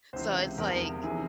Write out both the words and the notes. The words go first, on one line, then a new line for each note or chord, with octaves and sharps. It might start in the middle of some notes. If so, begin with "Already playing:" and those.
So, it's, like
C#2 C3 E3 C5
E2 C3 F3 A#4
C3 E3 G#4